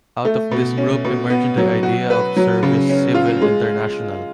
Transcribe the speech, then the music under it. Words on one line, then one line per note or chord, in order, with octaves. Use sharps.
Out of this group emerged the idea of Service Civil International.
A3
B2
C#4
B2
B3
F#3
F#4
B4
F#3
C#3
C#4
F4
G#3